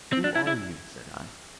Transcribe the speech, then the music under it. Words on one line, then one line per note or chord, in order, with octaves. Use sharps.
"Who are you?" said I.
C4
D4
E4
E4